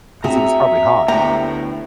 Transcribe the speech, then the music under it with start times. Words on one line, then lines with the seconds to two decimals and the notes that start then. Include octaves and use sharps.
'Cause it was probably hot.
0.24 C4 F#4 G#4 E5 A#5
1.08 D2 A2 B3 G4 A#5